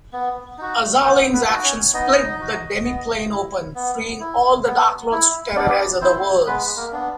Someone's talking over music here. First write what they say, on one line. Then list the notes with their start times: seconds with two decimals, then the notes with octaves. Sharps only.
Azalin's actions split the Demiplane open, freeing all the Darklords to terrorize other worlds.
0.13 B3
0.58 D#4 F#4
1.04 B3 C4 C5
1.33 B3 B4
1.49 D#4 F#4
1.64 C#4 C#5
1.93 B3 D#4 D#5
2.39 D#4 F#4
2.85 B3
3.30 E4
3.75 B3
4.20 E4
4.66 B3
5.12 E4
5.56 B3 D4 D5
6.01 C4 E4 C5
6.46 G#3 B3 B4
6.77 A#3 A#4
6.92 B3 D4